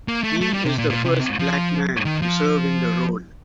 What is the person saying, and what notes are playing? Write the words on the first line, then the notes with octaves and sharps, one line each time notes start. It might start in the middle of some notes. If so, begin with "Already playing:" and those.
He is the first Black man to serve in the role.
A#3
A3
A3
G3
C3
A#2
A#2
C3
F3
D#3
F3